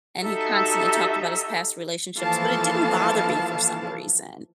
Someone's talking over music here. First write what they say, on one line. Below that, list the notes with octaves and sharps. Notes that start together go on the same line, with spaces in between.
and he constantly talked about his past relationships, but it didn't bother me for some reason.
D#4 F#4 G4 A4 E5
E3 F3 A#3 A4 F5 A5